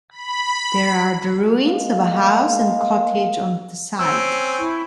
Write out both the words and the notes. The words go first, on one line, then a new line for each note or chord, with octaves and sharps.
There are the ruins of a house and cottage on the site.
B5
G#3 A#3 F5
C4 C#4 E6
E4 C#6